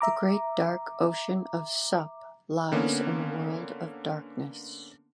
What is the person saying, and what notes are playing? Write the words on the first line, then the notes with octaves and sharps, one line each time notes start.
The great dark Ocean of Sup lies in the World of Darkness.
E5 A#5 D6
D3 A#3 B3 C#4